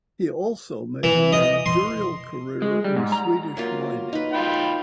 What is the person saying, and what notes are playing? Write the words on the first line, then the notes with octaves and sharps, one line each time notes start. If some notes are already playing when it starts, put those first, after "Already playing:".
He also made a managerial career in Swedish mining.
E3
D#5
C6
G#3
G3
G#2
A#5
F#3 A#3 F4
D#4 B4
F4 G5 B5